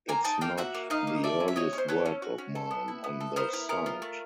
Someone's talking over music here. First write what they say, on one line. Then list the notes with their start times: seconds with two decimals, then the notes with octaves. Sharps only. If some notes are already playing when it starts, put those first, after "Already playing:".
It’s not the earliest work of mine on the site.
0.09 A#3 G#5 A#5
0.25 D#4 G5 A5
0.41 A#3 F5 G5
0.57 F#4 E5 F#5
0.74 A#3
0.90 D#4 D#5 F5
1.07 A#3
1.24 A4 D5 E5
1.40 C#4
1.48 E5
1.56 F#4 C#5 D#5
1.73 C#4
1.78 C5
1.88 A4 B4 C#5
2.05 C#4
2.22 F#4
2.38 C#4
2.55 A4
2.71 B3
2.88 E4
3.04 B3
3.21 A4
3.36 B3 A#4 C5
3.53 E4 A#4
3.69 B3 A#4
3.86 F4
4.02 A3